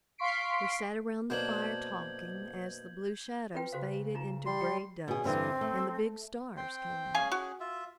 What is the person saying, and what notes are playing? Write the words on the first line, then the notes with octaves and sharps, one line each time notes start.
We sat around the fire talking as the blue shadows faded into gray dusk and the big stars came out.
F5 C6 C#6 B6 C7 D7
F#2 B2 A#3 D4 C5 G6 G#6 F#7
C4 F4 B4 G5
C#3 F#4 C5 F5
D#4 F4 A#5
G3 C6
G5
B2 G#4
G2 D3 E3 C4
A3
C4 G5 C6
C#4 G#4 F5 G#5
F#4
F4 E5